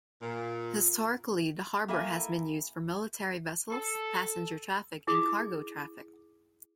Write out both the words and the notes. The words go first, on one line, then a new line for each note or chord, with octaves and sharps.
Historically, the harbour has been used for military vessels, passenger traffic and cargo traffic.
A#2
A#3 E4 A4 A#4 E5 G#5
A4
D#4 E4 G#4 D6 D#6